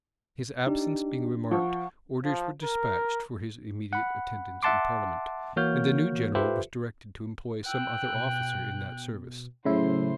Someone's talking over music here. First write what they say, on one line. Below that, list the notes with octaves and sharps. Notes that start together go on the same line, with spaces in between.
His absence being remarked orders were despatched for his immediate attendance in parliament; and the new general was directed to employ some other officer in that service.
D4 D#4 G4
F3 F5 F#5 C#6
F3
A#4
F#5 B5
E5 F#5 A5 C6 D6
E3 A#3 F#4 C#5 F6 G6
F4 G4 A4 B4 C5 E5
G5 E6 F#6
B2
A2 C#3 F#3 E4 C5 C6